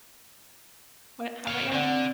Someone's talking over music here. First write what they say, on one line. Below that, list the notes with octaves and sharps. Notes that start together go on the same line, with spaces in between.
What how about you?
C#5 F5
D3 C4 D5 F#5